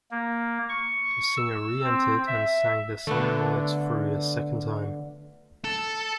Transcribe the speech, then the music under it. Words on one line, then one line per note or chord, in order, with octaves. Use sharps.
The singer re-entered and sang the same words through a second time.
A#3
C#6
E6
C4
E5
D3 A3 B3
A4